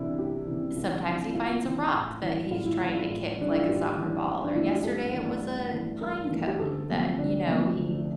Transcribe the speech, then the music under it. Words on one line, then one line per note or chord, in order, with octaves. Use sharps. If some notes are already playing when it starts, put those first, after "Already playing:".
sometimes he finds a rock that he's trying to kick like a soccer ball, or yesterday, it was a pine cone that, you know, he
Already playing: C2 C3 E3 D4 E4
C2 G4
C3 E3
C2
C3 E3
E4
C2 F4
C3 E3
A2
E3 G3
A2 F4
E4
E3 G3 E4
F4
A2
E3 G3 D4
E4
F4
A2 G4
E3 G3
G2
D4
E3 A3 E4
F4
G4
G2 A4
E3
A3
G2
E3 A3
G2 A#4
E3 A3
G4
D2 A4
C3 F3 A3
D2 D4
C3 F3 A3
D2